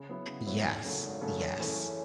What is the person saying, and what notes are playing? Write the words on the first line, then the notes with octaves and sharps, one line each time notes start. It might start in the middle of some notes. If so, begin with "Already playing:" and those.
Yes, yes.
Already playing: C#3
F#3 B3 E4
C#3
F#3 B3 E4
G#1
F#2 C#3 F#3 A3
G#1
F#2 C#3 F#3 A3
F#2
E3 A3 C#4 G#4
F#2